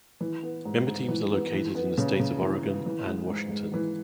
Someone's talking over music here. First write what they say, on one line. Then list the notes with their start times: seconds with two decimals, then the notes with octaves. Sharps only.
Member teams are located in the states of Oregon and Washington.
0.21 E3
0.43 B3
0.65 G#2
0.87 G#2
1.08 E3
1.31 B3
1.53 E3
1.75 B3
1.98 C#3
2.19 C#3
2.41 E3
2.63 B3
2.86 E3
3.07 G#3
3.29 G#2
3.51 G#2
3.74 E3